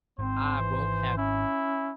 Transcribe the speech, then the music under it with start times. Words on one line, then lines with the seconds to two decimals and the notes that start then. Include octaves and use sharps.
I won't have it.
0.19 G#1 C4 C5
0.58 E3
1.17 C#4 E4